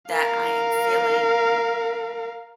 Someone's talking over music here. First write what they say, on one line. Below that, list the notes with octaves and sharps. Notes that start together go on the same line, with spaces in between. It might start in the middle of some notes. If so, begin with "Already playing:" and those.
that I am feeling
A#4 F5